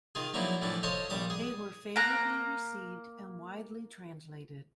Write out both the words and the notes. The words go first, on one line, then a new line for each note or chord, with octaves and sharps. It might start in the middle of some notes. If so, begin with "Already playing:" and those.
They were favourably received, and widely translated.
D#3 F4 G#4
F3 F#3 A#3 D4 E4
A2 E3 F3 D4
A4 C5 C#5 D#5 F5
A#1 G3 D6 D#6
G#4
A#3 A#5 F#6